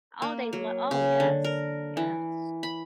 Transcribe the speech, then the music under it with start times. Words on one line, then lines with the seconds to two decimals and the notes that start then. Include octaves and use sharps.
Oh, they lo Oh, yes. Yes.
0.22 A#3
0.53 F#3
0.91 C#3
1.20 D3
1.44 A#4
1.97 E3
2.63 B5